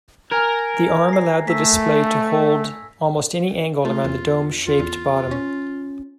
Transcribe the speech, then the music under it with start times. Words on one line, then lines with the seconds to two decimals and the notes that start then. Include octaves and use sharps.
The arm allowed the display to hold almost any angle around the dome-shaped bottom.
0.31 A#4 G#5 A#5 G#6
1.09 A#6 C7
1.48 A3 E6 B6
3.85 A3 F4
4.04 E2
4.67 F4
4.79 E2
5.31 C#4